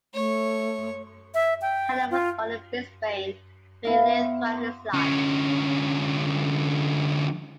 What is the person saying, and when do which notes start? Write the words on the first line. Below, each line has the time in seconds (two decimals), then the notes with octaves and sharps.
Hanlon was born in Brisbane, where he lived throughout his life.
0.14 A3 C#5
1.34 E5
1.62 G5
2.11 F4
3.85 B3 E4 F5
4.93 D2 C#4